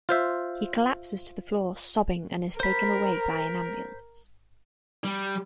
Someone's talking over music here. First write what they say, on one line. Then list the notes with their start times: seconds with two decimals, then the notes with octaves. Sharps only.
He collapses to the floor sobbing and is taken away by an ambulance.
0.09 F4 C5 E5
2.60 A#4 C5 B5
5.04 G3